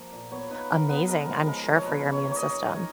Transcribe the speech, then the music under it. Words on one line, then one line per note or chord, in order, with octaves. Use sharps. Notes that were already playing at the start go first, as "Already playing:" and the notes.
amazing, I'm sure, for your immune system.
Already playing: F3 A#3 F5
A#2
B3 C#5
D#4 B4
B3 A#4
B3 B4
G#3 A#4
F3
G#3 A#4
F3
C#5
B2 B4
C#4
C#5
A#3
C#5 D#5
A#3
D#4 C#5